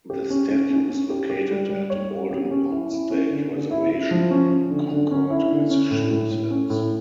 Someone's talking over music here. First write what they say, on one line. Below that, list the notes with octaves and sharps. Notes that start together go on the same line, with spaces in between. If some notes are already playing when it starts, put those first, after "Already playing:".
The statue is located at Walden Pond State Reservation in Concord, Massachusetts.
G4
C#4
C#4
C#4
C#4
G4
G4
G3
G3
C#5
G4
G4
C#4
E4
E4
C#4
D3
D3
E4
E4
F3
C#4
C#4
D3
D3
C#4
E4
D3
C#4
A2
A2
A2
C#4
A2